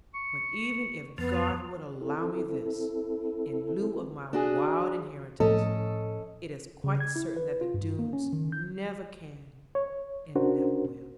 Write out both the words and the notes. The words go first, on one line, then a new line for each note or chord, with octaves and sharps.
But even if God would allow me this, in lieu of my wild inheritance, it is quite certain that the Doones never can and never will.'
C#6
F2 F3 B3
C4 E4 A4
D4 F#4 G#4
A2 F3 A3 C#4 A4 D#5
C#3
G#6
E4
B4
F4
G2
A#3
C#4
D#3
G6
C#5
C#4 D4 F#4 A#4 C5